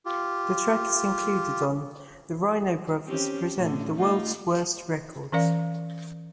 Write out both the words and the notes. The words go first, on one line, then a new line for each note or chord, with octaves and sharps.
This track is included on "The Rhino Brothers Present the World's Worst Records".
F4 G4
C4 C#4 G4
A2 D3 C#4
A3 D#4 F4
E3 C#4 A#4 D5 F5